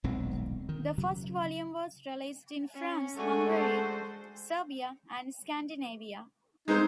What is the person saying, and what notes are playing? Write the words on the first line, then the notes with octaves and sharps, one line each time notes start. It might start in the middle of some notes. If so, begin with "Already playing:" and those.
The first volume was released in France, Hungary, Serbia and Scandinavia.
D#1 B1 G#3 C4
D#3
C#3 F#3
C#4
G#3 A3 D4 F#4 A4 G#5
C5
G#3 C4 D#4 C5